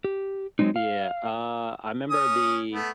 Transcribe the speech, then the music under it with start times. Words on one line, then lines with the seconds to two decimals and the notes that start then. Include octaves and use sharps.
Yeah, uh, I 'member the,
0.04 G4
0.59 F#3 G#3 C4 D#4
0.76 F5
2.10 C#4 D#6
2.72 A3 B3